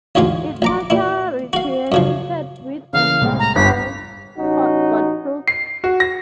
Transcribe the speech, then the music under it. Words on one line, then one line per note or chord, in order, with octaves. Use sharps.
Ithaca retaliated with an ad called Got Proof?
A1 D2 G#2 G#3 F4
A#1 A#5 D6
A#2 E4
F#4 F5
F#2 C#3 F3
C#3 E3 A#3 F5
C2 A2 G#3
A#5
G1 B5 F#6 B6
A1 C#4 D#4 F#4
C7
F#4
A#6